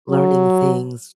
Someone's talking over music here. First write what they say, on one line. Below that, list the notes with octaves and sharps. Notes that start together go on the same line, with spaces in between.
learning things.
F#3